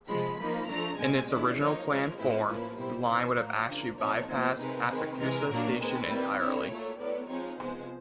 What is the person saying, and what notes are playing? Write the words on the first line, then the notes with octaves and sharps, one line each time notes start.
In its original plan form, the line would have actually bypassed Asakusa Station entirely.
C3 F3 G#3 B5
F3 A#3 D#4
F3 A3 D4 A#5
B2 G#3 C4 G#5
D#3 G#3 C#4 E4 D5
F3 A#3 D#4 C#5
C#3 F3 G#3 C#4 A#4
A2 F3 G#3 C4 E4 B4
F3 A#3 C#4 E4
B2 G3 C4 E4 C5
C3 E3 G3
A2 F#3 A#3
C#3 F3 A#3 D4
A#2 F3 A3 C4 D#4 C#5
A#2 F3 G#3 B3 C5
C3 D#3 G#3 C4 D#4 B4
D#3 G#3 C4
C3 E3 G#3 A#4
A#2 F#3 A#3 D4
D#3 G#3 C4 B4
D#3 G3 C4 E4
D3 G3 C4 E4 C#5
A#2 F#3 A3
A2 F#3 B3 D5
F3 G#3 C4 D#4 C#5
C3 F3 G#3 B3 C5